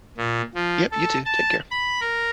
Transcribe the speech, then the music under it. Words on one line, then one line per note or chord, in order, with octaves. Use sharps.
Yep. You too. Take care.
A#2
F3
A4
A5
B5
A#4